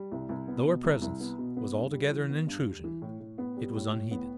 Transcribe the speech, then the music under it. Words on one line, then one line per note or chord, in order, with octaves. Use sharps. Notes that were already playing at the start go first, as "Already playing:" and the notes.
Though her presence was altogether an intrusion, it was unheeded.
Already playing: G3
C2
C2
B3
B2
C2
C2
B3
B2
B3
G2
G3
E3
B3
G2
G3
E3
A2
A2
B3
G3
A2
A2
B3